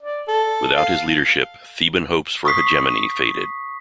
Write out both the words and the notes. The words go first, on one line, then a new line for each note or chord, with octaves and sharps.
Without his leadership, Theban hopes for hegemony faded.
D5
A4
F5
C#6 D#6 B6 C7